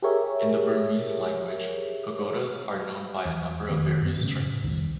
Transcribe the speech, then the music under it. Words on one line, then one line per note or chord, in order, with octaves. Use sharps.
In the Burmese language, pagodas are known by a number of various terms.
G4 G#4 A#4 C#5 E5
E2
F1 D#3 B3
F#2 B3
A2 C#3
E1 C2 F2 D#3